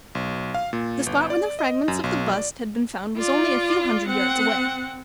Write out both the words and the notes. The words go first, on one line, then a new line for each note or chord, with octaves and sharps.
The spot where the fragments of the bust had been found was only a few hundred yards away.
B1
F5
A#2
G1
D5
D#5
F#2
B1
D5
F4 D5
C4 F#5